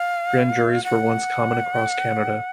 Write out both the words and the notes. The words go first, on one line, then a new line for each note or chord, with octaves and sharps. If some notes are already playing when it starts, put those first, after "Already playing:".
Grand juries were once common across Canada.
Already playing: F5
F#5